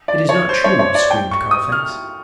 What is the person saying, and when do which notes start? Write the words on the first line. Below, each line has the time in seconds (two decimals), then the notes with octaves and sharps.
"It is not true," screamed Carfax.
0.08 D5
0.29 C#5
0.49 C5
0.64 C#5
0.79 C#5
0.95 D5
1.11 G5
1.31 C#6
1.51 D#6
1.72 F6